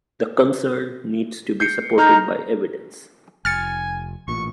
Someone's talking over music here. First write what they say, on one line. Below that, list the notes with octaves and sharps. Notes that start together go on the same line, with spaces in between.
The concern needs to be supported by evidence.
G6 C7 C#7
D#4 A#5 F6 G6
F1 G#5 F6 A6 C#7
A1 A#2 C#6